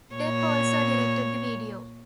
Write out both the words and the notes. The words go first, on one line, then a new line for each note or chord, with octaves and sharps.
Depp also directed the video.
A#2 C#5